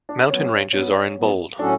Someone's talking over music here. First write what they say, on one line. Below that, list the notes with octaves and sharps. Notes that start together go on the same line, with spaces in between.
Mountain ranges are in bold.
D4
G#2 F#3 B3 C#4
G#2 F#3 B3 C#4
G#2 F#3 B3
A2 F#3 C#4 D4 F#4 A4